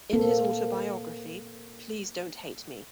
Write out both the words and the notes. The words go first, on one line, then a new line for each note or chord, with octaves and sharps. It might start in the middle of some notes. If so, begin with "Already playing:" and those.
In his autobiography, Please Don't Hate Me!
A#3 C4 A4